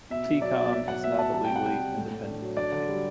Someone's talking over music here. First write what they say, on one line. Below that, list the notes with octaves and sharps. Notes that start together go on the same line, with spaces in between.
T-Com is not a legally independent company.
B2 E5
B2
F#3 D5
B2
D5
B3 E5
F#3 F#5
B3 E5
F#3 A5
G3 A5
C3 G5
F#5
G3 G5
G3
A2
A2
D4
F#3
D4 D5
D3
G3